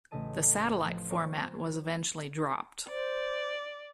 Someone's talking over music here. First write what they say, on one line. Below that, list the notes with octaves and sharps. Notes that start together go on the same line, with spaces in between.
The satellite format was eventually dropped.
A1 C#3 A3 D#5 A5 D#7
F3
F4 C5 D5 A#5 C#6
C6 G#6
C5 D5